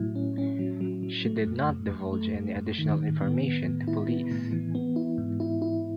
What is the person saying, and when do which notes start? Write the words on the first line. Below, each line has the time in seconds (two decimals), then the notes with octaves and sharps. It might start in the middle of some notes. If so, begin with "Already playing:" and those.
She did not divulge any additional information to police.
Already playing: A2 F#3 E4
0.15 C#4
0.38 C#4
0.59 F#3
0.81 F#3
1.03 F#3
1.25 A3
1.47 F#2
1.69 F#2
1.91 F#2
2.13 A3
2.35 F#2
2.56 F#2
2.78 D#3
3.00 A2
3.21 B3
3.43 B3
3.65 A2
3.87 E4
4.08 B3
4.31 A2
4.52 E3
4.75 B3
4.96 E4
5.18 G#2
5.40 E4
5.62 E4